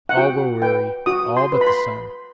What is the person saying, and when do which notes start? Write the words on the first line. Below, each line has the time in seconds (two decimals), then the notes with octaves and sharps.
All were weary, all but the sun.
0.09 F#5
0.17 F#4 G5
0.62 B4 G5
1.06 F#4 D#6
1.37 C6
1.52 B4
1.61 B5
1.67 C6